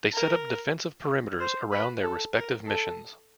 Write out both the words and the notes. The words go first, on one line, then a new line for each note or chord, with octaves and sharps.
They set up defensive perimeters around their respective missions.
A#4
C5
B4
A4
A#4
A4